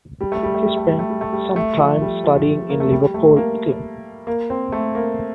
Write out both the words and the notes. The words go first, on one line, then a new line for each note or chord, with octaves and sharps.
He spent some time studying in Liverpool, England.
G3
A3
G3
A3
G3
A3
G3
A3
G3
A3
G3
A3
F3
G3
F3
A#3
A3
G3
A3
A#3
A#3
C4
A3
A#3